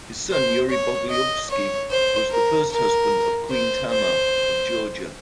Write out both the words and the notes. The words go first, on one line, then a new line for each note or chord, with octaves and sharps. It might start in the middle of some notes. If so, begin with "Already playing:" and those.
His son, Yuri Bogolyubsky, was the first husband of Queen Tamar of Georgia.
C5
C#5
D#5
C#5
C5
A#4
A#4
C5
C5